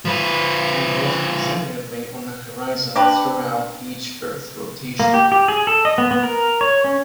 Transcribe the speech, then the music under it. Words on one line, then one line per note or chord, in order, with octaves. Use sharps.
They rose consecutively on the horizon throughout each earth rotation.
F3 B4
D4 G4 B4
A#3
G4
G4
G#4
A4
D#5
B3
B3
A#4
C#5
C#4